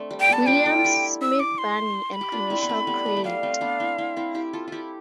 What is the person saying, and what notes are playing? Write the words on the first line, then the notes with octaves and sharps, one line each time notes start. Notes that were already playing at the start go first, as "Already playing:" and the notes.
Williams, Smith Barney and Commercial Credit.
Already playing: A3 C4 D4
G3
G5
G3 B3 A5
D4 F4 G5
F4 A4
E4 G4
E6
D6
C6
B5
G4
D4 F4
C4 E4
B3
A3 C4
G3 B3
A3
A3
G3 B3 F5
A3 C4
B3 D4
C4 E4
C4 E4
C4 E4
E4 G4
F4 A4
E4 F4 G4